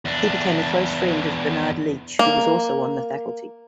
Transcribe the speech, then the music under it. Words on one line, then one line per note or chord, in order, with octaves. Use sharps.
He became a close friend of Bernard Leach, who was also on the faculty.
E2 D4
A#3